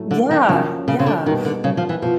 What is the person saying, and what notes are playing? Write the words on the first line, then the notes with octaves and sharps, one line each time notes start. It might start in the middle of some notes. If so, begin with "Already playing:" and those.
Yeah, yeah, w
Already playing: A2 F#3 A3
D3
D#3
C#3 F3 A#3 C#4 F#4
C#3
C#3
D3
B2 D#3 G3 A#3 D#4 F#4
D3
C#3
F3
E3
B2 F3